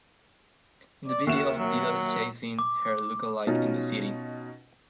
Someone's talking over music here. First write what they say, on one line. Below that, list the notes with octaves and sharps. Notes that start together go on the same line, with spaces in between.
In the video, Dido is chasing her lookalike in the city.
D5
D#2 F#4 E5 E7
F#3
D6
B2 C#4 D#4 F4